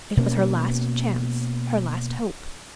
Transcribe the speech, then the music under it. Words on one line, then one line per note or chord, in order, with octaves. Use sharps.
It was her last chance, her last hope.
B2 A#3 C#4